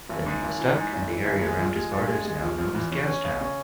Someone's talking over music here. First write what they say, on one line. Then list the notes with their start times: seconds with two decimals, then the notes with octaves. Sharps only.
The name stuck and the area around his bar is now known as Gastown.
0.09 G#1
0.26 G#2
0.42 G#1
0.59 E3
0.76 G#2
0.93 G#1
1.10 E3
1.25 G#1
1.42 G#3
1.58 F3
1.76 G#3
1.92 G2
2.08 G#3
2.25 G#3
2.42 F3
2.58 F3
2.75 E2
2.92 C#4
3.08 C#4
3.24 C#3
3.41 C#4